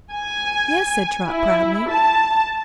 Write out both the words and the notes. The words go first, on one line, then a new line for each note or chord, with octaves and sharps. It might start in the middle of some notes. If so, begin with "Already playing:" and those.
"Yes," said Trot, proudly.
G#5
E4
A5